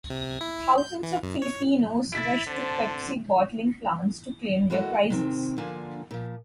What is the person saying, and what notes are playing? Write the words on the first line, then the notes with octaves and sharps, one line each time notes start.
Thousands of Filipinos rushed to Pepsi bottling plants to claim their prizes.
C3
E4
G6
E3
F#2
C#5
E4 A6 B6 D7
D3 C4 C5 A5
E3 G#3 A#3 F#4 A4 D#5
C3 D#3 C4
D3 F3 A#3 D4 G#5
A#2 F3